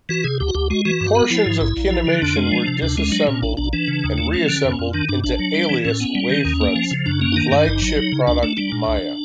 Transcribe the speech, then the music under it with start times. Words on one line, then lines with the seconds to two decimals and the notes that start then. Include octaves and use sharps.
Portions of Kinemation were disassembled and re-assembled into Alias-Wavefront's flagship product Maya.
0.09 E3 F#4
0.24 C3 G#4
0.40 D2 G4
0.48 F#4
0.54 D2 G4
0.70 G#3 F#4
0.85 E3 F#4
1.01 G2
1.15 B3
1.30 F3 E4
1.46 G#2
1.61 A#1 E4
1.77 A#1
1.91 F3
2.07 D3
2.22 F2 D4
2.36 G#3
2.52 F3
2.67 C3
2.82 D2 D4
2.97 G#3 C#4
3.12 F#3 D4
3.27 A#2 C#4
3.42 A#1 D4
3.57 A#1 D4
3.73 E3 D4
3.88 C#3
4.04 D#2
4.18 A3
4.33 F3 C#4
4.49 D3
4.64 F2
4.79 F2
4.93 D#3 D4
5.09 G2 D4
5.24 A1 D4
5.39 F#3
5.54 G3
5.69 E3
5.85 A2 C#4
6.00 B3
6.15 G3
6.30 D#3
6.45 D#2
6.61 A#3
6.76 F3
6.91 C#3
7.06 F#2 D4
7.21 A#3 C#4
7.32 D#4
7.36 D#3 D4
7.51 G2 D4
7.66 G#1 D#4
7.82 F#3
7.96 F#3
8.12 C#3
8.27 C#2 D4
8.43 A3 D4
8.57 G3 D4
8.72 A#2
8.88 C2